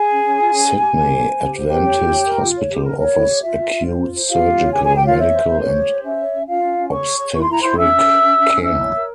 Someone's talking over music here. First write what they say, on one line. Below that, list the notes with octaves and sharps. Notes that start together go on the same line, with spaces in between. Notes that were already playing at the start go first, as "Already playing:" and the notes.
Sydney Adventist Hospital offers acute surgical, medical and obstetric care.
Already playing: G#4 G#5
C#4
C#4
F4
C#4
G#4
G4
G4
C5
C5
G4
C5
G4 A#4 G5
C#5
F4
C#5
A#4
F4
C#5
G4
A#4
A#4 C#5
E4
G4
F4 E5
F4
F4
C5
F4
C5
F4 G4 F5
G4
C#5
G4 G#4 G#5
G4 G#4 G#5
G4 G5
F4 C#5 F5
C5 E5
C5
C5
G4 C#5
G4
C5
C#4 E5
C#5
C#4
C#4 F4 F5
C#4
C#4
G#4 C#5 C#6
G#4
C#5
E4 C#6
C6
E4 A#5
E4 C5 C6
C#4 E5 E6
C#4
G#4
C#4
C#4
C#4
E4 E5 E6
C#5
A#4